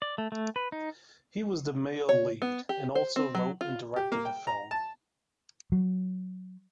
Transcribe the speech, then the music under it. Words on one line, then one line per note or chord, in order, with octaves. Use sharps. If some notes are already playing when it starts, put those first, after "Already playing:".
He was the male lead and also wrote and directed the film.
D5
A3
A3
B4
D#4
C#5
B3
G4
C5
C4
F#3
F4
G4
A#3
G5
A#5
A5
F#3